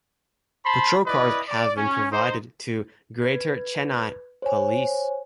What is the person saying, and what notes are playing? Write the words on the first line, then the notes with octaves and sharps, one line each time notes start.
Patrol cars have been provided to Greater Chennai Police.
C5 A5 B5 C6
E4 B4 D5 D#5
D5
C#4
D#4 C5
B4 G#6
C5 C#5 G#5